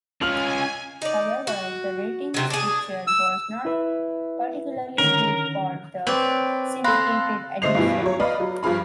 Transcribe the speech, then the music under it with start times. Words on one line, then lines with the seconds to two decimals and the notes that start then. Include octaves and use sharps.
However, the ratings picture was not particularly good for the syndicated edition.
0.21 C#4 F4 G#5 F6 F7 F#7
1.02 D#4 D5
1.47 F#4
2.34 C3 F#3
2.50 D4 G#4
3.07 E6
3.65 E4 B4 E5
4.98 D3 D#3 C#4 A#4
6.07 C4 B4 C#5 D5
6.84 A4 F5 B5 C6 F#6 A#6
7.62 D3 A3 C5 D#5 C7 F7
7.75 G2 B2 E3
8.02 F#3 C#5
8.20 B4 D5 D#5 F5 B5
8.40 F#3
8.63 G2 F3 G#4 F5 B5